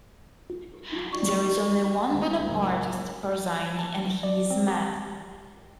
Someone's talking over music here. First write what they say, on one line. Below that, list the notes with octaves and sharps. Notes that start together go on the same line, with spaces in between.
There is only one Bonapartist, Persigny - and he is mad!
D#4 G4 D5 C#6
D2
C#2 F#2 A2 F#3 A#3
A5
D5
C4
G4